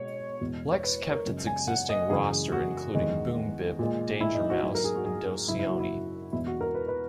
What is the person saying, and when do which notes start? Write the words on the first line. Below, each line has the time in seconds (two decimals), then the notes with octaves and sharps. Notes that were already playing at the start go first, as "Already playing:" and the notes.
Lex kept its existing roster including Boom Bip, Danger Mouse and Doseone.
Already playing: B2 G#3 C#5
0.41 E2 B2 G#3
0.72 C#5
0.84 B4
1.11 A#4
1.26 F#2 C#3 G#3
1.47 G#5
1.68 F#5
1.89 D#5
2.10 F#2 C#3 E3 G#3 G#4
2.52 F#4
2.95 E2 D#3 G#3
3.79 A#2 G#3
4.21 E4
4.35 D#4
4.50 F#4
4.63 G#2 F#3
4.75 A#4
4.84 G#4
4.96 F#4
5.05 G#4
5.48 F#2 C#3 F#3 E4
5.59 E4
5.69 F#4
5.80 E4
6.32 E2 B2 G#3 E4
6.47 F#4
6.61 A#4
6.75 B4
6.88 B4